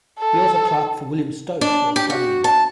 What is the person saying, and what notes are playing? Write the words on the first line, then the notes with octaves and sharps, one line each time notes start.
He also clerked for William Stokes while studying.
A4
D4
G4
F#4
A5